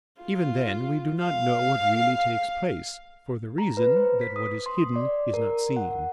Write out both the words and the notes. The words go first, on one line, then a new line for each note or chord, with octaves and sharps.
Even then we do not know what really takes place, for the reason that what is hidden is not seen.
F4
F5
A#5
B4
C5
B6
D#6
C6
D5
A#4
F#5